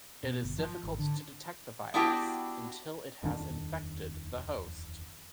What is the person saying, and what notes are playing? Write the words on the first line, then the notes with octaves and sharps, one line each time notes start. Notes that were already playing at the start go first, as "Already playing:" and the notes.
It is difficult to detect the virus until it has infected the host.
B2
G1
F3
G#1
D3
B3 D4 E4 F#4 G4 G5
D#1 F2 D#3 D4